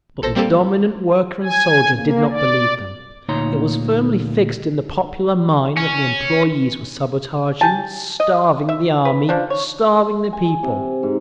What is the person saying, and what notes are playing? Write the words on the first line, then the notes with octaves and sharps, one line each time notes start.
But the dominant worker and soldier did not believe them; it was firmly fixed in the popular mind that the employees were sabotaging, starving the Army, starving the people....
A1 A4 C5 A#6
G3 A#3 C4 G4 A4
G#5
A#3
D5
D2 A#2 D#4 C#5 A#5 C6
C#4
G4 G#5 A5
D#5
E5
B4
F3 D4
C#5
G#5
C3
G#2